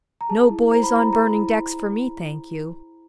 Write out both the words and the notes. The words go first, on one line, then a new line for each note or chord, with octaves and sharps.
'No boys on burning decks for me, thank you.'
A#5
G#4 A5
E4
C5 A#5
B5
E4 A#5
G#4 A#5
E4